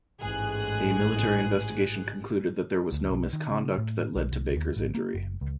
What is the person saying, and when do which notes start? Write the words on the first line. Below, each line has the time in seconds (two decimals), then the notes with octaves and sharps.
A military investigation concluded that there was no misconduct that led to Baker's injury.
0.20 A1 G#2 G#4 F#6
2.92 D2
3.11 B1
3.33 D#3
3.51 C#3
3.78 A2
4.16 B1
4.32 C2
4.56 D#2
4.76 G#1
4.95 A#3
5.14 F#1
5.41 C#2